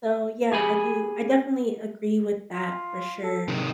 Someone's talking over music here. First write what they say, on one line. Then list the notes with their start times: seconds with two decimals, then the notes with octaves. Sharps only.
So, yeah, I do I definitely agree with that for sure.
0.52 G4 G#4 G#5 B5
2.51 F4
3.24 A4
3.48 C3 D#3 F#3